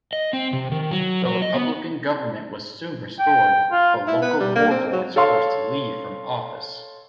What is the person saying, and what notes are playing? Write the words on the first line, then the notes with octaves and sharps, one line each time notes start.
The Republican government was soon restored, but local warlords forced Li from office.
D#5
C4
C3
D#3
F#3
F#3
D#5
B3
G5
F4
E4
B3
G3
A#3
C4
F#3
A4 C#5 F5 C6